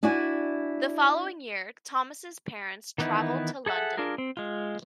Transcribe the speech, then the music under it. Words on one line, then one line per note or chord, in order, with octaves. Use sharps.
The following year, Thomas' parents traveled to London.
D4 E4 F#4 D5 G#5
D#3 E3 B3 D#4 E4
G#4 A4 E5 F#5
D4 F4 G#4 A#4
C4
G#3 F4